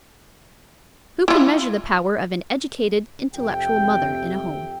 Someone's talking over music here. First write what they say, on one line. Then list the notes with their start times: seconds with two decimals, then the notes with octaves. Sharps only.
Who can measure the power of an educated, intellectual mother in a home?
1.28 E4 F4
3.35 F2 C3 G4 E5 G5